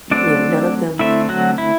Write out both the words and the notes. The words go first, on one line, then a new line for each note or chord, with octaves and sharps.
you know, none of them
F#3 A3 C4 D4 D5
D3 A3 C4 E4 E5
F#3 F#4
E4